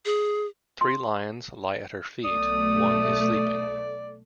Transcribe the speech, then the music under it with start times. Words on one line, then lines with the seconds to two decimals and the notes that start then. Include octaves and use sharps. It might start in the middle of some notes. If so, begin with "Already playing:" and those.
Three lions lie at her feet; one is sleeping.
0.05 G#4
0.81 C6
2.25 B1 A3 D5 D#6